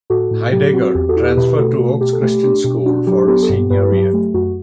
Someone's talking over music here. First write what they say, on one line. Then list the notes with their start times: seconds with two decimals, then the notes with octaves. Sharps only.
Heidegger transferred to Oaks Christian School for his senior year.
0.10 A2 F#4 A4
0.31 A2
0.52 F#3 G4
0.73 C4 F#4
0.95 E2 G4
1.09 F#4 A4
1.16 E4
1.23 G4 B4
1.37 B2 G4 B4
1.58 A3 F#4 A4
1.79 B2 F#4
2.01 B2 G4
2.13 A4
2.22 A3 G4
2.43 D4 G4
2.64 B2 G4
2.85 D4 F#4
3.06 F#3 G4
3.28 B3 G4
3.42 A4
3.49 G2 G4
3.70 G2 G4 B4
3.91 F#3 G4
4.13 A3
4.34 F#2 F#4